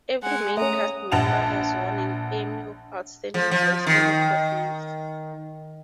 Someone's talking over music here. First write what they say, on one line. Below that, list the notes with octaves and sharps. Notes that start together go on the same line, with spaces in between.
Every main cast member has won an Emmy for Outstanding Voice-Over Performance.
G#3 F#5 G#5
A3 C#4 A#5 D#6
A#1 F#5 A5 F7
F3
F3
D#3